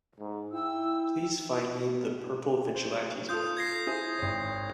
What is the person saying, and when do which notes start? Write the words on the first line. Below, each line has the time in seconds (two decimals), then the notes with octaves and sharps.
Please find me The Purple Vigilantes book.
0.20 G#2
0.53 E4 G5 E6
2.75 C5
3.29 F4 A4 D#6 G6
3.57 G#6 A#6 C7
3.87 E4 G#4 C5
4.19 G#1 C#5